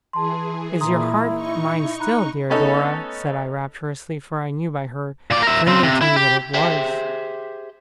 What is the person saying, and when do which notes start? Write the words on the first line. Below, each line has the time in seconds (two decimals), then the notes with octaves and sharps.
'Is your heart mine still, dear Dora?' said I, rapturously, for I knew by her clinging to me that it was.
0.13 E3 G#4 A5 C6
0.81 A#2 E4 A#5 C6 D#6
1.33 D#4 C#6
2.00 A#5 B5 F#6
2.50 A3 B3 C#4 D#4 A4
5.30 A#2 D5
5.43 A#4 E5
5.67 C#3 C4
5.83 C3
6.01 E4
6.16 G4
6.54 G4 G#4 C5 E5 G5